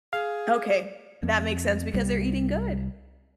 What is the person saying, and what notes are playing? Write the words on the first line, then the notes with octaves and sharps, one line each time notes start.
Okay, that makes sense because they're eating good.
G#4 F5
F2
C2 G3